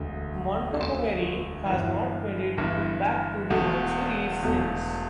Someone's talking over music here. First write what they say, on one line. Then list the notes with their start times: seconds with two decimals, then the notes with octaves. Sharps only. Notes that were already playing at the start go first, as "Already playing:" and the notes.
Montgomery has not made it back to the World Series since.
Already playing: E1 D2 D3
0.73 E1 D2 D3
1.65 G1 G2 E3
2.57 G1 G2 E3
3.50 E1 E2 B2 A3
4.42 E1 E2 B2 A3